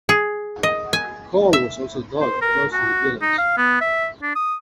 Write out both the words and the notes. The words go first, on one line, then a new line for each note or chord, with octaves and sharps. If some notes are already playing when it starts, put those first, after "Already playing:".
Coal was also dug close to the village.
G#4
D#5
G#5
E5
C5
A#4
F#4
D#4
F5
B3
E5
D4
D#6